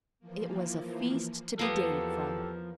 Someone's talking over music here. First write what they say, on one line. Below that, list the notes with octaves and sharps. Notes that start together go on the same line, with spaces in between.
It was a feast to be dated from.
E3 F3 A#3
E2 F3 A#3 B3 G4 A4